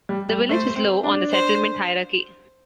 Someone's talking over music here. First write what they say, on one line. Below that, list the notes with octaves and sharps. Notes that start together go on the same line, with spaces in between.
The village is low on the settlement hierarchy.
G3
G3
A3 C5
C4
D4
C5